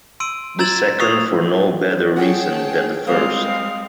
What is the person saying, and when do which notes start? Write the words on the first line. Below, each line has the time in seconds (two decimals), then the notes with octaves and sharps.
The second for no better reason than the first.
0.20 C6 E6 D7 D#7
0.59 A#5 E6 G#6 A6 E7 F#7
1.00 C#6 D#6 E6 C7 F7
2.16 G#4 C#5 F#5 G5 A5
3.07 G3 G#3 C4 A#4 C5 F5 D#6